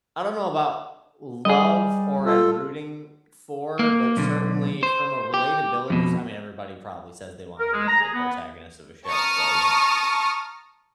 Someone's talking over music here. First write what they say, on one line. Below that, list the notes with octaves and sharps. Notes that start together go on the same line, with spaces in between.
I don't know about love or am rooting for, but certainly from a relatability s I mean, everybody probably says they wanna relate to the protagonist of a show, so, you know,
G3 G#4 D#5
F4 A4
A#3
B1 D3
C5
G4
F2 B2
A#4
G#3
A#5
G#4
B3
A5 A#5 C#6 D#6 F6